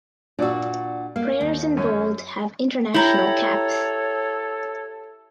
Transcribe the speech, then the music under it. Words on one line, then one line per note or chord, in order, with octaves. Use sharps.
Players in bold have international caps.
A#2 D4 F#4 D5 E6
A#3 F5
D#2
F#2 C#4
E4 G4 A4 C#5 A#5